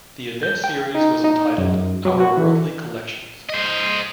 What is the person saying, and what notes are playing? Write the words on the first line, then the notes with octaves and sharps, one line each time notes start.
The event series was entitled 'Our Worldly Collections'.
G6
G5
D#4
D#4
F#2
F#3
F#4
E3
C5 D#5